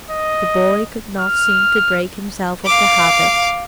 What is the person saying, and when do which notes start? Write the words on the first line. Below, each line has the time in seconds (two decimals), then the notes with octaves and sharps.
The boy could not seem to break himself of the habit.
0.11 D#5
1.21 F6
2.65 F5 D6